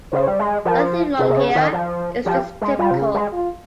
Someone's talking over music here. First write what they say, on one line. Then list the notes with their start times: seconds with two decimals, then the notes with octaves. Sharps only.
Nothing wrong here, it's just typical.
0.12 C#3 C5
0.28 G3
0.39 G#3
0.65 F3 A#4
1.19 C3 G#4
1.29 C3
1.37 C#3
1.55 D#3
1.73 F3
2.26 F3 G4
2.61 G#3
2.79 G3 F4
2.91 C3
2.97 C#3
3.14 G#3
3.33 F4